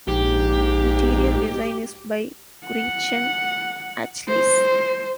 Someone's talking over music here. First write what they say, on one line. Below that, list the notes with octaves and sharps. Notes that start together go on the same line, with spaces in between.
Interior design is by Gretchen Achilles.
A#1 G#2 G4
F#5
C5